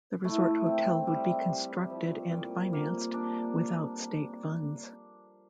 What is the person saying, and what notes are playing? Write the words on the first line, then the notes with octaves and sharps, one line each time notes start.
The resort hotel would be constructed and financed without state funds.
A3 E4
C4
G3
G3
F3
A#2
A#3
D4